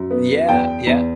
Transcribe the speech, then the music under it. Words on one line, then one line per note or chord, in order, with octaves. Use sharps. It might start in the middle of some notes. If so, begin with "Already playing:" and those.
Yeah, yeah,
Already playing: F#2
B3
E2 G5
E2